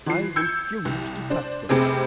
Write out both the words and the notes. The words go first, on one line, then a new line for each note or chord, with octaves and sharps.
"I refuse to touch them."
E3 F3 C7
E6 G6 G#6 C#7
C2
D4 C5
F1 C3 C4 G#4